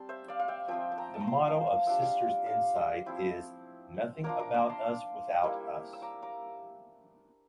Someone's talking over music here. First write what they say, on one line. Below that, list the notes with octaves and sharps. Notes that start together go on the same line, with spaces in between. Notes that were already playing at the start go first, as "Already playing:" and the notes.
The motto of Sisters Inside is "nothing about us without us".
Already playing: G3 C4 A5 C6
C5 E5
D5 F5
F5
E5 G5
F3 C4 F4 E5 G5
A5
G5 A#5
A5
A#5
A5 C6
F5 A5
F5 A5
G3 D4 F4 E5 G5
D5 F5
D5 F5
C6 E6
F3 C4 E4
A#3 D4 F4 A#5 D6
A#5 D6
A#5 D6
A5 C6
G3 A#3 E4
E6
A#5 D6
A#5 D6